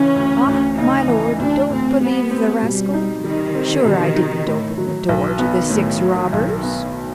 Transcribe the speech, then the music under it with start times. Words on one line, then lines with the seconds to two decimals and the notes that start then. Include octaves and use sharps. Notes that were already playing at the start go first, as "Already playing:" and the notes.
"Ah, my lord, don't believe the rascal; sure I didn't open the door to the six robbers."
Already playing: C#3 E3 C#4
0.16 D2
0.46 D2
0.77 C#3 D#4
1.08 E3
1.39 D2 D4
1.70 D2 C4
2.01 G3 B3
2.31 C4
2.62 B2 G3
2.94 D#4
3.24 D#3 G3
3.55 C4
3.85 B2
4.16 D#4
4.47 A2
4.78 F#3
5.09 B1 D#3
5.39 B3
5.70 A2
6.01 F#3
6.33 B1
6.63 B3